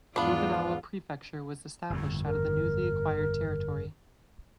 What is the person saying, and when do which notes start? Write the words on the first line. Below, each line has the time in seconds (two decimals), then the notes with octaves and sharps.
Okinawa Prefecture was established out of the newly acquired territory.
0.16 E2 G#2 B3 D4 F4 F5
1.90 G1 F2 A2
2.25 A#4